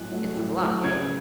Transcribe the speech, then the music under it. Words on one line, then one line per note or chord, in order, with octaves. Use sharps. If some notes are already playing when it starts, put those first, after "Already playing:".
"It's a blockade."
Already playing: A2 F#3 F#6
F#3 A3
A2
F#3 A3
C#3 G#6